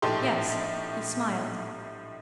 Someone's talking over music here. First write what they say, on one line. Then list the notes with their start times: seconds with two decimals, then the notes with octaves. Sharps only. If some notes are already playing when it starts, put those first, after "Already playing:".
Yes, he smiled.
0.02 A#1 A2 D#4 G4 A4 C6